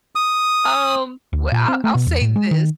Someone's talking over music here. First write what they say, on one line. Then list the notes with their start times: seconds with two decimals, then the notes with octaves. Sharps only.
Um, well, I I'll say this
0.15 D#6
1.33 D2
1.52 A#2
1.68 C4
1.84 A3
1.95 B2
2.07 E2
2.21 A2
2.36 G#3
2.51 D#3